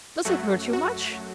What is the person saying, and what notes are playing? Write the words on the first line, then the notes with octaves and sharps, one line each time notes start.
Does it hurt you much?
F#2 F#3 A3 F#4
F#4